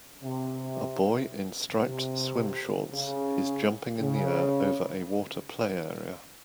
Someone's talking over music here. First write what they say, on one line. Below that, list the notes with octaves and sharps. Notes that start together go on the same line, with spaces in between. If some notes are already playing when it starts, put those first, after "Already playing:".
A boy in striped swim shorts is jumping in the air over a water play area.
C3
C3
C#3
C#3